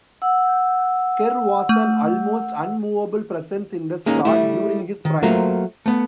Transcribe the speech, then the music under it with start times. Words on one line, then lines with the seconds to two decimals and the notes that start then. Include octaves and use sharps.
Kerr was an almost unmovable presence in the slot during his prime.
0.22 F#5 E6
1.69 A3
4.06 G#3 A#3 C#4 D#4
4.25 G3 A3 E4
5.05 D#3
5.23 F#3 A3 A#3 F4 A#4 C5
5.86 A3 B3